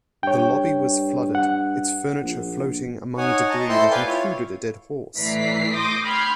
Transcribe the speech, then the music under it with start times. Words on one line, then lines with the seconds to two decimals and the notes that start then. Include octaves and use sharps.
The lobby was flooded, its furniture floating among debris that included a dead horse.
0.23 G2 C#5 G5
1.35 F#5
2.22 A#1
3.18 D#4 C#5 F#5 G#5
3.49 D#5 A5 A#5
3.69 A3 E4 A4 C5 G5 C6
3.91 B4 D5 F5 G5 G#5
4.06 E4 F4 C#5
5.17 A2 E3 D5 A#5 B6 C7
5.73 C6 D6 D#6 G6 A#6
6.04 G5 B5 C6 F6 G6 G#6